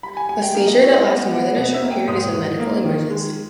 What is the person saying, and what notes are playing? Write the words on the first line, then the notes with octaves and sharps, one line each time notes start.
A seizure that lasts more than a short period is a medical emergency.
G3 B5
G#5
G3 G#5
G5
A#3 G5
D#5
E4 C#5
D#5
B3
B3
B2 D#5
E5
A#3
G5
G#2 D#6
G#2
A#3
D#3
G#3